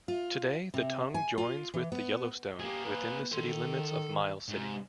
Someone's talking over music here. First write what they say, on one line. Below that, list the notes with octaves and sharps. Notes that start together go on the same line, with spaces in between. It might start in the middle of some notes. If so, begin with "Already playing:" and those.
Today, the Tongue joins with the Yellowstone within the city limits of Miles City.
F4
C3
G#5
F4
E3
B3
A#3 G4 G#4
B4
D#3 A4 C6
G#2 C3